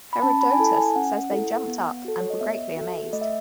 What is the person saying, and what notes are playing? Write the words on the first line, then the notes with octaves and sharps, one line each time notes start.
Herodotus says they jumped up and were greatly amazed.
B5
C#4 A5
B5
G#5
E4 A4 A5
G#5
C#4 F#5
E4 A4
B3
F#4 A4
C#5
D#5
B3 E5
F#4 A4
A3 D#5
E5